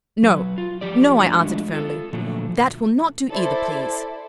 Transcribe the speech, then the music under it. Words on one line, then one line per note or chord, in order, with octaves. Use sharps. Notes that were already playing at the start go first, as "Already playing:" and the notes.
'No, no,' I answered, firmly. 'That will not do either, please.
F#3 B4
F4
F3 G4 D5
F3 G#3 A3 D4 F4 F#4
F4 A4
A#2 D3 F3 F#3 A3
E4 A4 C5 D5